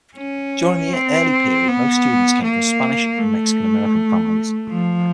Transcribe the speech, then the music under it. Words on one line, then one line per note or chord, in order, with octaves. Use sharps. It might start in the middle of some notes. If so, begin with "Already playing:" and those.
During the early period most students came from Spanish and Mexican American families.
C#4
C4
B3
A#3
A3
F3